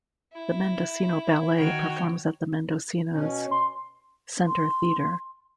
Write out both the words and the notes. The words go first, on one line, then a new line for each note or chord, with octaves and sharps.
The Mendocino Ballet performs at the Mendocino's center theater.
E4
D#3 F#4 C#5 G5 G6
B2 C#4
C6
C6